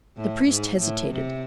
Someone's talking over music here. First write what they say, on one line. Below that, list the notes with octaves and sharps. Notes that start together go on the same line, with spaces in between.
The priest hesitated.
A2
G#2
A2
C3